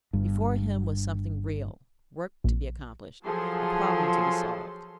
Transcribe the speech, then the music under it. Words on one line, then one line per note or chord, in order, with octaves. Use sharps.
Before him was something real--work to be accomplished--a problem to be solved.
G1 G2
A#1
F3 F#3 G#4 A4 C6